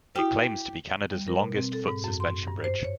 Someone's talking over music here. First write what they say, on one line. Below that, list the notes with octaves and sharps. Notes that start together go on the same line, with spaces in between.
It claims to be Canada's longest foot suspension bridge.
E4 F#4 G4
G3
A#4
B2
C4
A4
G#2
F#2
C6
G2
C5
C#5